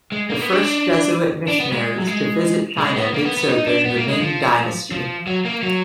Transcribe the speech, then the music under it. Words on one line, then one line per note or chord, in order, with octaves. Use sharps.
The first Jesuit missionaries to visit China did so during the Ming dynasty.
G#3
A#3
B3
D4
D4
B3
G#3
F#3
G#3
G#3
B3
A#3
B3
B3
D#4
D4
B3
A#3
G#3
F3
F3
F#3
A#3
F#3